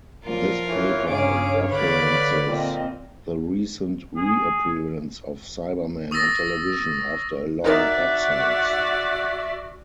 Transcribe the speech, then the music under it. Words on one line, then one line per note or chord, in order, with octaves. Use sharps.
This paper references the recent reappearance of Cybermen on television after a long absence.
A#2 F3 F#3 F4 A#4
E3 C#5 F5
G2 C#3 G#4 D6
D3 B4 D5 B5
A#2 C4 D#5
G#4
C#6 D#6 E6 A6 A#6
D#4 F#4 A#4 D5 E5 F#5 A6